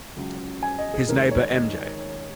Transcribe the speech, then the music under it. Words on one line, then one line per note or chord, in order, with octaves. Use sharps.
His neighbor M. J.
C#2 C#3 F#3
G#5
D#5
G#4
D#2 D#3 G#3 A#4
C#5
D#5